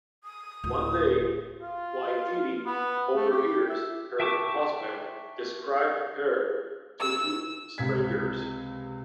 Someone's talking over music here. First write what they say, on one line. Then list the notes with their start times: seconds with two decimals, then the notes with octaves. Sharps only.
One day, Whaitiri overhears her husband describe her to two strangers.
0.24 D#6
0.64 D1
1.62 F4
2.67 B3
3.16 A3
3.31 G4
3.69 E5
4.20 E5 G5 A5 C#6 D6
7.01 E6
7.78 C#2 C3 G#6 B6